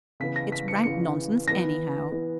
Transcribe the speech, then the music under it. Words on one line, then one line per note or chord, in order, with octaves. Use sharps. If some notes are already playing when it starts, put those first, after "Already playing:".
It's rank nonsense, anyhow!
C#3 E3 B3 B6
A#6
B6
C#7
C#3 E3 B3 C#7
E3 B3 A#6
E3 B3